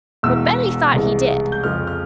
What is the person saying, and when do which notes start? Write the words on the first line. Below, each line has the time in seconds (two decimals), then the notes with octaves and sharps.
But Benny thought he did.
0.23 E1 E2 E3 E6
0.94 C2 C3 E3 G#3
1.52 G6
1.64 F2 C#3 F3 G#3 F6
1.87 F6